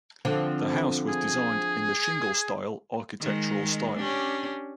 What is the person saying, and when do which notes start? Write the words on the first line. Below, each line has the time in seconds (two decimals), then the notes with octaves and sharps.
The house was designed in the Shingle style architectural style.
0.25 D3 F3 C4
1.09 G#4
3.21 D#3 G#3
3.97 C#4 D4 G4